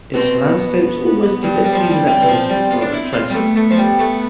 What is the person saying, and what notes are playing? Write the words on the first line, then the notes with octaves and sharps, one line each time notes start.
Its landscapes always depict human activity or its traces.
B2 C4
B3
G2
G3
F3
G3
G3 C4
E3
F3
G3
B3 F4
D4
E4
C4
F4
G3
A3 B3
A3
F3
G3
A3